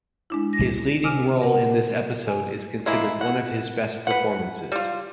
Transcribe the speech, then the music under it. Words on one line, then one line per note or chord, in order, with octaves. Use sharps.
His leading role in this episode is considered one of his best performances.
G#3 D4 E4
A#6
C3 G#5 D6 E6 F6
A#4 F#5
G#5
G#3 A#3 E4
F#5
B4 F#5
G3 F4